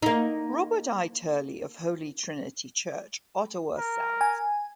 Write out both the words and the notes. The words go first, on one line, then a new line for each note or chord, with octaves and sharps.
Robert I. Turley, of Holy Trinity Church, Ottawa South.
A#3 D#4
A#4
G#5